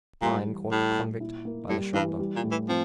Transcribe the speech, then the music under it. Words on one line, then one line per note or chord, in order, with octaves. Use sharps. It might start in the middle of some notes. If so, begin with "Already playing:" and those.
Pine caught the convict by the shoulder.
A#2 G3
E3
A2 G3
A#2
E4
A#3
A2 G3
G2 E3
G3
A#2
A2
E3
F3 C4